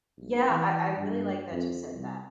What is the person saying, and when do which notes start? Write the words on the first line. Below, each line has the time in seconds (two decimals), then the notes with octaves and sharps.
yeah, I I really like that you said that,
0.18 B1
0.50 E3
0.97 G2
1.52 F2
1.93 C2